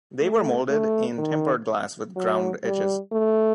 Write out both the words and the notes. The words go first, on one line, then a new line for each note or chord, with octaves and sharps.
They were molded in tempered glass with ground edges.
A3
A3
D#3
F#3
G3
A3